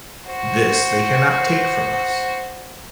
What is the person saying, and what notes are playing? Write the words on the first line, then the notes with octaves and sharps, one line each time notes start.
This they cannot take from us.
F#4 C5